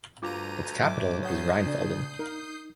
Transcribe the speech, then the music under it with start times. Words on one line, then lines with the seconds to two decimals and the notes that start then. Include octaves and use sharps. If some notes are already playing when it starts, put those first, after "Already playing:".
Its capital is Rheinfelden.
0.23 D2 G2 F4 A#5 D6 D#7
0.82 G#2 F#3 E5 D6
1.23 C#5 F#5 D#6 G6 C7
1.66 C#3 D4
2.19 D#4 A#4